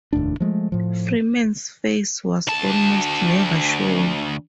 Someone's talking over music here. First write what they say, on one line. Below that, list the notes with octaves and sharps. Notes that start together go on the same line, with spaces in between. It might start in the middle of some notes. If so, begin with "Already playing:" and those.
Freeman's face was almost never shown.
F1 D#2 A2 D4
F3 G#3 A3
A2 F3
D2 A5